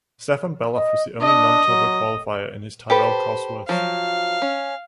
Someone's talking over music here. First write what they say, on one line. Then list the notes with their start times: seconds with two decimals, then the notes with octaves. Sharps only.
Stefan Bellof was the only non-turbo qualifier in his Tyrrell-Cosworth.
0.76 D#5
1.21 D4 D#5
1.68 F#3
2.90 G4 A4 B4 C5
3.69 F3 F#3 F5
4.42 C#4